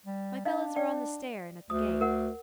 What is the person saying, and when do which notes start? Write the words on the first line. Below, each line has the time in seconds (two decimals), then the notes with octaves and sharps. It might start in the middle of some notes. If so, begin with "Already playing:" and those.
'My fellows are on the stair and at the gate.
0.06 G3
0.45 D4 D#5 F5
0.76 D5 G5
1.70 D2 D#6
2.01 A#4 F#5